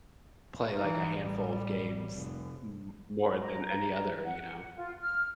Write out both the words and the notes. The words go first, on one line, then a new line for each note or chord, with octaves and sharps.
play, like, a handful of games, m more than any other, you know.
E3 D#4
A1 G3
F1
B5
A#5
F#5
F4
F6